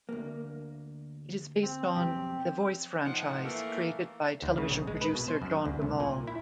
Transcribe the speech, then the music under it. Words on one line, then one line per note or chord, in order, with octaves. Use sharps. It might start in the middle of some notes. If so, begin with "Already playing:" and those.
It is based on "The Voice franchise" created by television producer John de Mol.
D2 A#3
C4
B1 F2 G4
A2 F3 D#4 F#5
E3 A3 A#3
D2
C#3
A#1
G#3
B4
B2
C5
F#2
D2
C2
A#2
E4